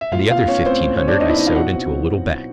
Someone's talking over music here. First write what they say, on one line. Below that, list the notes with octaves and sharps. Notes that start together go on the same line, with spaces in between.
And the other fifteen hundred I sewed into a little bag.
E5
A2 F4 F5
B3 F4 F5
B3 C#4 C#5
A2 C4 C5
A2
C#4 C#5
A2
D4 D5
B3 D#4 D#5
E4 E5
B3 D#4 D#5
F4 F5
B2 F#4 F#5
C4
F#3